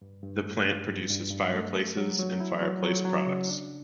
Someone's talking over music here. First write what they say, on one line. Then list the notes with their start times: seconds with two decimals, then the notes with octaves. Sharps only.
The plant produces fireplaces and fireplace products.
0.02 G2
0.23 G2
0.45 A3
0.66 G2
0.88 G2
1.10 G2
1.31 G2
1.54 A3
1.75 A3
1.97 F#3
2.19 F#3
2.40 E4
2.62 F#3
2.83 F#3
3.05 F#3
3.27 C#3
3.49 D4